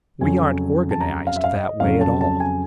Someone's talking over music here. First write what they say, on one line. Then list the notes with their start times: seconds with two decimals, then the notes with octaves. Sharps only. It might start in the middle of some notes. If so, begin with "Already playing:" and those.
We aren't organized that way at all.
0.21 F2 C#3 F#3 G#5
0.91 A5
1.00 A#5
1.27 F5
1.36 E5
1.44 F5
1.54 D#5
1.80 F2 C#3 F#3 F5
2.01 A5
2.21 A5
2.40 G#5